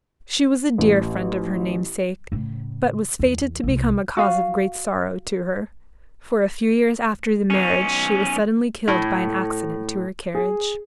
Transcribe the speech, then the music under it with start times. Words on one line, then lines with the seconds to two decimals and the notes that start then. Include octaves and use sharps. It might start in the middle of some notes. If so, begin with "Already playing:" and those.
She was a dear friend of her namesake, but was fated to become a cause of great sorrow to her, for a few years after the marriage she was suddenly killed by an accident to her carriage.
0.78 A1
2.32 A2 C#3
3.19 E2
3.63 C2 C4
4.17 F#4 F5
7.50 B1 C#4
8.88 A2
10.35 G#4